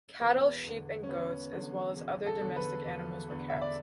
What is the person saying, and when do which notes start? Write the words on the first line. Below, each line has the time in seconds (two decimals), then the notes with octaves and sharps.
Cattle, sheep, and goats, as well as other domestic animals were kept.
0.20 E1 B3
0.64 E2 D3
1.03 C#4
1.09 E1 B3
1.52 E2 D3
1.96 E1
2.26 A4
2.40 E2 D3
2.56 B4
2.85 E1
3.30 E2 D3
3.50 E5
3.61 D5